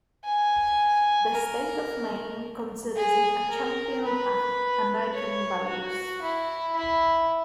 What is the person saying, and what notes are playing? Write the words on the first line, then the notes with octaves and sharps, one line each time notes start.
The state of Maine considers him a champion of American values.
G#5
A#4
G#4
A#4
B4
C#5
F#4
E4
E4